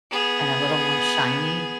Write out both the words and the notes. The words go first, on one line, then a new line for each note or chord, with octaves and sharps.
and a little more shiny,
B3 G#4